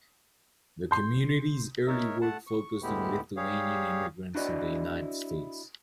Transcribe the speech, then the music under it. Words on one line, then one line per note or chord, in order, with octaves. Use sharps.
The community's early work focused on Lithuanian immigrants in the United States.
C6 G6
D#4 A#4 C#5 E5
A3 F#5 A5
C#6
D2 A2 G#3 B3 E4 G4
G3 G4 G#4 C#5 F5
D4 E4 F#4 B4 D5 D#5